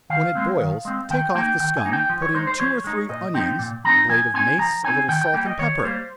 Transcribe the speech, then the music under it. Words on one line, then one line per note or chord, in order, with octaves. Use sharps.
When it boils, take off the scum, put in two or three onions, a blade of mace, a little salt and pepper.
D#3 F5
G#3 C4
D#3
G#3 C4
D#3 G5
A#3 D#4 G5
D#3 G5
G#5
A#3 D#4
G5
F3
C#5
G#3 D#4 C5
C5
F3 C#5
G#3 D#4
A#2 D#5
F3 C4 D#4 G5
A#2
F3 C4 D#4 A#5
F3 G#5
C4 D#4 G#5
F3 A#5
C4 D#4 G#5
D#3 G5
G5
G3 A#3 G5
D#5
D#3 C#5
C#5
G3 A#3 C5